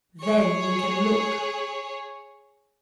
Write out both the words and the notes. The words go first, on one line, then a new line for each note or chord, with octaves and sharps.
Then you can look.
G#4 C#5